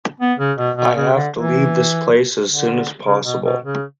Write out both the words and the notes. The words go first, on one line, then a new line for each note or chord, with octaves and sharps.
I have to leave this place as soon as possible.
B3
C#3
B2
B2
C#3
D3
E3
D3
C#3
B2
B2
C#3